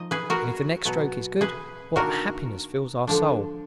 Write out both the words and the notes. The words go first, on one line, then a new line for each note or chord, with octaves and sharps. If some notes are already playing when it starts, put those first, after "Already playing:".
And if the next stroke is good, what happiness fills our soul.
Already playing: F3 D#4 D#5
G#4 B4
F#4 A#4
B2 F#3 B3
G#4 B4
D#3 A#3 D4 F#4 A#4
D3 F3 G#3 D4